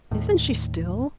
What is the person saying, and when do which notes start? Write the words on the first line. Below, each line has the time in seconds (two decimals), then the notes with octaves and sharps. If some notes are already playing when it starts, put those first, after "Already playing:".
"Isn't she still?"
0.11 D#2 A2